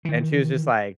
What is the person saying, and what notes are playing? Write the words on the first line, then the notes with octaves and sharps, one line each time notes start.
and she was just like,
D#3 E3